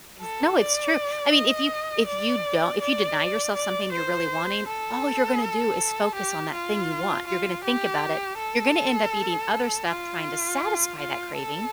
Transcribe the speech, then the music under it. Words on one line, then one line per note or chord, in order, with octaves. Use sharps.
Is No, it's true. I mean, if you if you don't if you deny yourself something you're really wanting, all you're gonna do is focus on that thing you want. You're gonna think about it, you're gonna end up eating other stuff trying to satisfy that craving,
A4
D5
D#5
D5
D5
D5
C5
A4
G4
F4
F4
G4
A4
F4
F4
A4